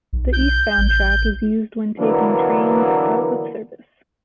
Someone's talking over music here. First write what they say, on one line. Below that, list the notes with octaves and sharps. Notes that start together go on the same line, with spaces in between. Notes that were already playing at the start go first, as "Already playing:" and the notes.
The eastbound track is used when taking trains out of service.
B1
G6
A1
D3 E3 F#3 A#3 B3 D4